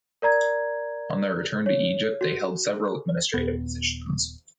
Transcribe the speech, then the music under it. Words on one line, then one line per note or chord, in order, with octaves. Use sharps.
On their return to Egypt they held several administrative positions.
A#4 D5 A#5 G#6
C#5
F#4
D#1 B3